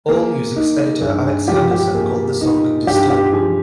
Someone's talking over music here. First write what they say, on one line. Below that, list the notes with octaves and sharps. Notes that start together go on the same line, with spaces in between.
AllMusic's editor Alex Henderson called the song "disturbing".
A#3 G#4
D#4
G2 G#4
G#4
F3 G4
G4
A#3 G#4
D#4
G2 G4
G4
F3 G#4